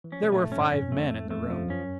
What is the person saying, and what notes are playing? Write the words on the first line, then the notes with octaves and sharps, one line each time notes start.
There were five men in the room.
E3
F3 C#4
B2
A#2 A3
G#2
G2 C#4
F#2 C#4
F2
F2 A3
A3
E2
F2 A3
F#2
F3
F2
F#2 C#4